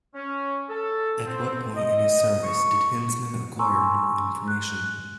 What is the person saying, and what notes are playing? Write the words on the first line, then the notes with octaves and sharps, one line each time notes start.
At what point in his service did Hinzman acquire new information?
C#4
A4
C4
D#5
C#6
G#5 A#5 C6 C#6 E6
F#6